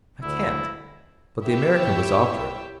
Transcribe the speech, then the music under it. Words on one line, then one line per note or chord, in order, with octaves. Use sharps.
I can't!' But the American was obdurate.
D2 D3 E4
E4 G4 C#5 E5 G5